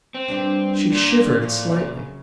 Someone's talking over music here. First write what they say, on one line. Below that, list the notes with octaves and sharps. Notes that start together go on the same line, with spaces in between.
She shivered slightly.
C4
G2 G3 D4
A#2 A#4
A2 F3 F4
F#2 C#3